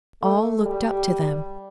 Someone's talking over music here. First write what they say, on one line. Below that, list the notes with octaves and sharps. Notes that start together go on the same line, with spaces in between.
All looked up to them.
A3
G3